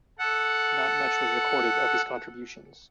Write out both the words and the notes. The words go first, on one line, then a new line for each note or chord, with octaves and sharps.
Not much was recorded of his contributions.
A4 F#5